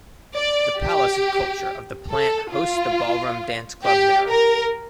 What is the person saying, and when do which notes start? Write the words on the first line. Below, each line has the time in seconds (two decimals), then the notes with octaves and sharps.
The Palace of Culture of the plant hosts the ballroom Dance Club Mara.
0.34 D5
0.77 G4
2.10 A4
2.52 F4
3.84 G4
4.29 A#4